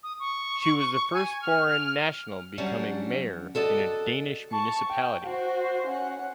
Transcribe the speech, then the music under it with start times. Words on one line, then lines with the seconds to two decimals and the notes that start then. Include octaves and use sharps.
She was the first foreign national becoming mayor in a Danish municipality.
0.03 D#6
0.20 C#6
1.14 G#5
1.42 F6
2.58 F#3 G3 C#4 D4 F#5
3.55 F#4 A4 D5 D#5
4.51 A5 C#6
4.89 G5
5.24 F#4 C5
5.87 C#4 F#5